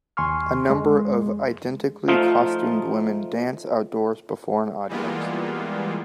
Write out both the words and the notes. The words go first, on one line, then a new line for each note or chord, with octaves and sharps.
A number of identically costumed women dance outdoors before an audience.
D#2 G#5 C6 C#6 F6
F2 G#3
F3 A3 D#4 F4
E3 G3 G#3 A#3 B3 F4